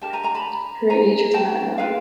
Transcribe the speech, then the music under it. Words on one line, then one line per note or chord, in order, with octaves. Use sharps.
Her age is not known.
D4 G4 A#4 G5 A5
G#5 A#5
G#5 A#5
A5 B5
G#5 A#5
G5 A5
F4 G#4 B4 F5 G5